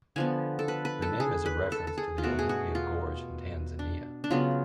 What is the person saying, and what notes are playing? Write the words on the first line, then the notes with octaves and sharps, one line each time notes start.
The name is a reference to the Olduvai Gorge in Tanzania.
D3 F3 B3 G#5
A4
B4
B4
A4
G#4
B4
A4
A4
G#4
F4
B2 A3 F#4
G#4
F#4
F4
D4
D4
C#3 F#3 B3 F4